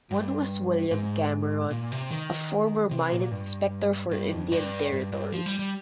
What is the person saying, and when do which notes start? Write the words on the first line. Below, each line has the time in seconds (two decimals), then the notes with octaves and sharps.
One was William Cameron, a former Mine Inspector for Indian Territory.
0.11 G2
0.91 G#2
1.71 A#2
1.92 C3
2.11 D#3
2.91 C3
3.12 A#2
3.31 G2
4.11 G2
4.33 F2
4.52 G2
4.92 G2
5.13 G2
5.32 F3
5.46 G3
5.59 G3